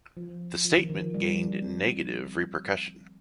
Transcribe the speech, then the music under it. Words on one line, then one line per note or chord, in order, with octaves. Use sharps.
The statement gained negative repercussion.
F3
F3
D#3
D#3
F3
G3
C4